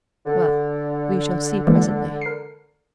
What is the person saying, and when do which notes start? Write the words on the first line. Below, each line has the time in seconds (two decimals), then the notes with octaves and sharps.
Well, we shall see presently.
0.26 D3
1.67 E3 G#3 A#3
2.21 A#4 C7